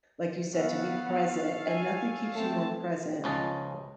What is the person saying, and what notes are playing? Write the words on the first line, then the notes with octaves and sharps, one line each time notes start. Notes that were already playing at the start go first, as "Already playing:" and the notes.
like you said, to be present, and nothing keeps you more present
B3 A4 C#5 F5 F#5
G#5
A3 C4 A5
C#2 F3 C#4 D#5 A5